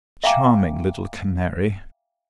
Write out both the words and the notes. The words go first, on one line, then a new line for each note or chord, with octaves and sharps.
Charming little Canary!
E5 F5 G5 G#5 A#5 D6